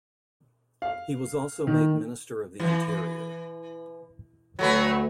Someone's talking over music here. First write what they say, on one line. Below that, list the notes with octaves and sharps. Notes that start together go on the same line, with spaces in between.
He was also made Minister of the Interior.
F5
D#3
E3
D2 F#3 A3 B4